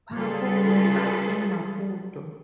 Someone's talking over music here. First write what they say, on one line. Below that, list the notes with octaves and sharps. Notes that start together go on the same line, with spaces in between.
Paco grew up in Maputo.
C#3 G3 F4 G#4 A4 B4